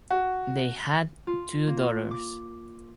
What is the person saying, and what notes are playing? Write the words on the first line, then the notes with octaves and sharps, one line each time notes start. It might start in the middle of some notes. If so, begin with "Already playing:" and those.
They had two daughters.
F#4
F4
A#3
D6